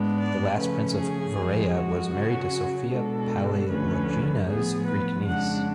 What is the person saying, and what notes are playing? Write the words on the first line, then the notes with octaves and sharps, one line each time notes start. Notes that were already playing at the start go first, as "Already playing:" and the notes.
The last prince of Vereya was married to Sophia Palaiologina's Greek niece.
Already playing: G#2 G#3 B3 D4
D5
C#3 F3 A3 C#4 B4
G#4
F2 F3 G#3
F#4
C#3 F#3 C#4
B2 G#3 D4 A4
D2 D3 F3 A3 C#4 B4
A2 F3 B3 G#4
B4
F2 C#3 G#3 D4 F#5